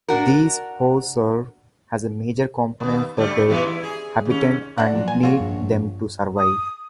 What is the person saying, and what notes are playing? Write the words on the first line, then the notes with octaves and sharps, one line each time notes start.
These hosts serve as major components for their habitat and need them to survive.
D4 F#4 A#4
D#2 B3
D3 G3 A3
G#2 E3 B3
E4
G#4
D#2 C#4
D4 F#4 F#5
A#2 F3 F#3
G#5
F4 F#4 G#4 C#5
A#1 G2
D#6